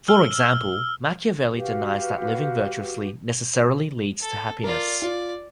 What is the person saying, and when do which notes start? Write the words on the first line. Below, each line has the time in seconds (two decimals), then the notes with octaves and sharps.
For example, Machiavelli denies that living virtuously necessarily leads to happiness.
0.08 E6 F6 G7
1.54 F#4 G4 B4 F5
4.22 A4
4.64 F4 A#4 D5
5.02 F4 D5